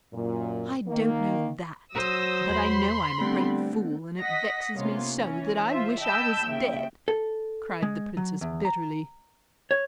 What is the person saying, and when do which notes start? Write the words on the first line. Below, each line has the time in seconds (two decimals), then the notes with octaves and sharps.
"I don't know that; but I know I am a great fool, and it vexes me so, that I wish I was dead," cried the princess bitterly.
0.14 F#2 A#2
0.87 D#3 A#3
1.95 F#3 C5 D#6 E6 A#6
2.50 E2 B5 C6
3.21 D3 G3 A3 B3 C4
4.19 D#5 F#5 A#6 B6
4.76 C3 A#3 B3 C#4 F4
5.17 E3 C#4
5.69 F4 C5 E5
6.00 D#5 G5 A5 B5 E6 G6
6.45 D#2 C#3 E5 G5
7.08 A4
7.83 G#3
8.17 F#3
8.41 E2
8.65 A#5
9.71 C#5